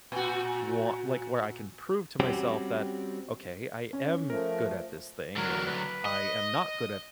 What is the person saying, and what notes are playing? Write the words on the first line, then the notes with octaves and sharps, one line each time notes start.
want like, where I can prove to myself that, "Okay, I am good at this thing or I am not good at"
A#2 F#4
G3 C4 C#4 F#4 G4
C#4
F3 A3 A#4
D3 F#3 A#4
B4
D#5